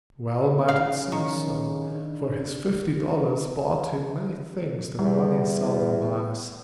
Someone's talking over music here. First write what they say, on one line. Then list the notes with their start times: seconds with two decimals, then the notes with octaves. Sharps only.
Well might it seem so; for his fifty dollars bought him many things that money seldom buys.
0.69 C#3 F5
1.12 D#3
1.91 D4
4.99 E2 G3